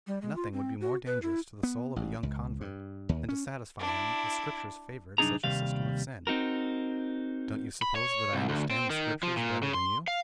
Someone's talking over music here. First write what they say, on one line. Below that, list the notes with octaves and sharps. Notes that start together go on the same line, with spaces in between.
Nothing would be more dangerous to the soul of a young convert than to satisfy him that the Scriptures favoured such a system of sin." "Don't you suppose that I understand the Scriptures better than you?
G3
G#3
F4
C4
F#4
B4
E4
B3
A1
C#2
G2
D#2
C#4
D4 E4
C2 F#2 D4 D#4 G#4 A#5
D#2 C3 G3 F5
C4 D#4 F#4 A#4
B5
C#5
C2
D2
C4
D#3
F3
A#2
C#3
C6
F5